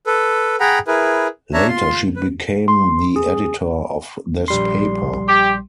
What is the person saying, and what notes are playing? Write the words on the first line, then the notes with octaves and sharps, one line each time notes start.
Later, she became the editor of this paper.
A4 B4
G#4 F#5 G5 A#5 B5
E4 G#4 A#4 B4
D4 C#5 E5 A5 A#5
F4 C6
B4
C6
G#4
A#1 G3 C6
G4